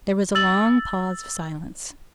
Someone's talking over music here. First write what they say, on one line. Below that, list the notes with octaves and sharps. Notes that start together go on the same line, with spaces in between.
There was a long pause of silence.
E6 A6 F#7